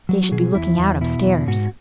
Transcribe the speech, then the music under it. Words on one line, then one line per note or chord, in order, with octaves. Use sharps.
"If they should be looking out upstairs!"
F#3
F#4
B2 G#4
E2 E4
E2
B2 E4
E2
G#2 F#4